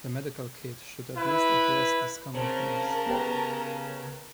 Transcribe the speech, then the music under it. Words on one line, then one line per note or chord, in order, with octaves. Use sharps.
The medical kit should at least address these common things.
E4 B4
C#3 C4 A#4 A5 A#5
B3 G4 B4